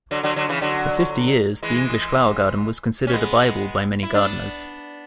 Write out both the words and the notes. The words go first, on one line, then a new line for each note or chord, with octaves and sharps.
For fifty years, The English Flower Garden was considered a bible by many gardeners.
D3 F#3
D3 F#3
D3 F#3
C#3 E3
D3 F#3
E3 G#3
C#4
G#3 B3
E4
B3 D4